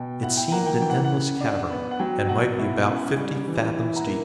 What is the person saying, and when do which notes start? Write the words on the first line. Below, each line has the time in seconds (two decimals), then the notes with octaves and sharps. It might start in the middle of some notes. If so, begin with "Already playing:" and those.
It seemed an endless cavern, and might be about fifty fathoms deep.
Already playing: B2 G5
0.23 E4 F#5
0.37 G5
0.52 A#3 F#5 A#5
0.66 G5
0.81 E3 G5
0.90 F#5
1.05 F#5
1.11 C#3
1.40 D4
1.70 B3
1.91 F#5
1.99 F#3 G5
2.29 B2 F#5
2.58 E4
2.88 C#4
3.17 G3
3.47 E3
3.76 E4
3.96 F#5 A#5
4.06 A#3